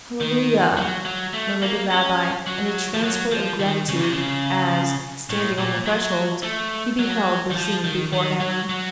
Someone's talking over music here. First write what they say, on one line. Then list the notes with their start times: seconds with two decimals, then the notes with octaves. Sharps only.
"HALLELUIA!" murmured the rabbi in a transport of gratitude as, standing on the threshold, he beheld the scene before him.
0.20 D#3
0.77 F#3
1.05 F#3
1.33 A3
1.62 A#3
1.90 C#4
2.46 F#3
2.94 F3
3.03 F#3
3.31 F3
3.60 D#3
3.88 C#3
4.01 C3
4.13 C#3
5.29 A2
5.58 A#2
5.86 F#3
6.43 A3
6.99 F#3
7.51 D#3
7.56 F3
7.84 D#3
8.12 D#3
8.40 F#3
8.69 F#3